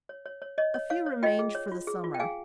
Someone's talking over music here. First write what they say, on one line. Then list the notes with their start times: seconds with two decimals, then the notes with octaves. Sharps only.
A few remained for the summer.
0.09 C#5
0.26 C#5
0.42 C#5
0.58 C#5 D#5
0.74 C#5
0.90 C#5 F5
1.06 C#5
1.23 F4 D#5 G5
1.39 G#4
1.55 C#5
1.72 F4
1.87 G#4
2.04 F4
2.14 G5
2.19 G#4 F5 G#5